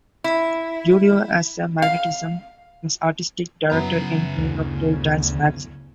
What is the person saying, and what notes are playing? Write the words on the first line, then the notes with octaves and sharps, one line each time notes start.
"Julio has a magnetism," his artistic director in New York told "Dance Magazine".
E4
F5
F#2 C#3 B3 E4 A#5
D2